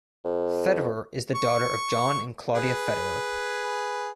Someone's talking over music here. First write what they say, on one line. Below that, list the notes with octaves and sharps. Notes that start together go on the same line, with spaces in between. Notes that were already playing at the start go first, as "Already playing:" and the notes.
Federer is the daughter of John and Claudia Federer.
F2
C#6
G#4 B4